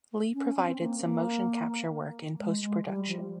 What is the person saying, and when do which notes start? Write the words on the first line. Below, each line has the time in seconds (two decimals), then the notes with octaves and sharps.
Lee provided some motion capture work in post-production.
0.34 C#4
0.58 C4
0.80 A#3
1.03 A#3
2.39 G#3
2.61 G#3
2.85 G3
3.08 F3